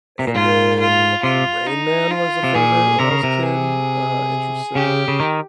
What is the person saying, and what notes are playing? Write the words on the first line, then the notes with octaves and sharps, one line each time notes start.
and then, uh, Rain Man was a favorite when I was a kid, uh, interestingly,
C3
A#2
G#2 F4
F4
C3 F4
D#4
F4
C3
A#2 G#4
C3 A#4
C#3
C3
G#4
C#3 G4
C#3
D#3